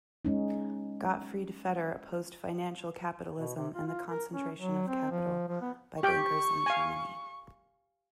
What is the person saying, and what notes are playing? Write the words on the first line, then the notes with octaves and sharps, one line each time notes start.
Gottfried Feder opposed financial capitalism and the concentration of capital by bankers in Germany.
G#3 C#4 D#4
B2
C3
F4
F4
A#4
C#4
F#3
C4
F3
F3
B3
G4 G5 C#6
F5 G#5